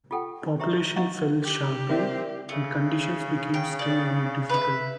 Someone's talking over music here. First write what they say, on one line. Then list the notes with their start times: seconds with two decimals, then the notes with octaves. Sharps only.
Population fell sharply and conditions became still more difficult.
0.11 F4 G4 A4 F#5 G5
0.60 G4 C5 E5 A#5 C#6
0.96 D#5 F5 F#5 A#5 C#6 E6
1.42 G4
1.89 C4 A#4 D5 E5
2.49 C#3 A3
3.54 G5
3.79 D5
4.49 B4 E5